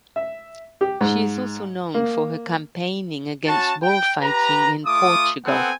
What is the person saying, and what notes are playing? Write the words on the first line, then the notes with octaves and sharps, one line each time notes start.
She is also known for her campaigning against bullfighting in Portugal.
E5
G4
G#2
A#3
C#4 F#4 A5
G5
G4 B4 A#5
A3 F4 D6 D#6
B3 C4 A4 F#5 G#5